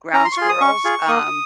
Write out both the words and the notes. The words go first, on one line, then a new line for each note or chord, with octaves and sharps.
Ground squirrels, um,
C#4 A#5
C6
C#6
F4 G#4 C6
D#6
C#4 C#6
F4 G#4
A#3 D#6